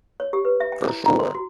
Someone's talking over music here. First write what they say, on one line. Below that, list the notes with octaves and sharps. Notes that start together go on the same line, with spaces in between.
For sure,
C#5
G4
B4
E5
G5
E4
A#5
C6
F#4